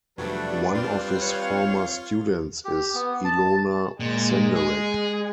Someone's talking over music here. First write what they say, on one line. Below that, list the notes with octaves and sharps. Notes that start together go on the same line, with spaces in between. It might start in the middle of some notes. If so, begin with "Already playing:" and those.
One of his former students is Ilona Senderek.
F2 C3 F#3 G3 A3 D4 B4 D5
C4 F4
C#5 F5
G4
B3
A5
A#2 G#3
G#4